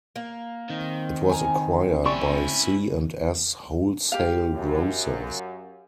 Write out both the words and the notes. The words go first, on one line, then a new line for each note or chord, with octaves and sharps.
It was acquired by C and S Wholesale Grocers.
A#3
D#3 C4
G#5 A#5
C#4 E4 D5 C6 C#6
G4 F5
F#2